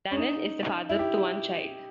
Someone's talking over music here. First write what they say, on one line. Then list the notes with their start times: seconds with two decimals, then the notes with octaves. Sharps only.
Danan is the father to one child.
0.11 C#4
0.17 D#4
0.89 E4
0.99 G4